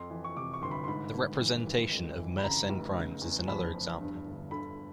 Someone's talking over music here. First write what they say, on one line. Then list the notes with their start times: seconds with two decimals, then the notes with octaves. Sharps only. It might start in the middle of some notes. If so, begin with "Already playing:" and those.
The representation of Mersenne primes is another example.
Already playing: F2 C6
0.10 E3
0.24 C#6
0.36 C3 D6
0.54 C#6
0.62 G1 C6
0.71 B5
0.84 C6
0.88 G#2 B5
1.14 G#1
1.41 E3
1.67 G#1
1.92 F2
2.18 E3
2.38 B5
2.43 C#3 A#5
2.70 F1
2.95 C#3
3.21 E2
3.48 F3 B5
3.74 E2
4.00 G2
4.26 G1
4.51 D3 B5